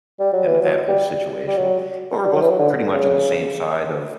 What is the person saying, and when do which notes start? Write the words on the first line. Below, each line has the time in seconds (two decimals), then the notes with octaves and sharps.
and that whole situation, but we're both pretty much on the same side of
0.20 G3
0.33 F#3
0.47 E3
0.60 F#3
0.88 G3
1.48 G3
1.56 F#3
2.25 G3
2.33 F#3
2.41 E3
2.50 F#3
2.59 D3
2.93 C#3